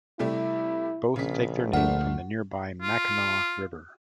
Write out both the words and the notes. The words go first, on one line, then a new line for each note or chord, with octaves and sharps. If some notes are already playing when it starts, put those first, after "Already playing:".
Both take their name from the nearby Mackinaw River.
C3 G3 A3 E4
A#1 C#3 B6
D2 A3 D4 F4 F#5
F4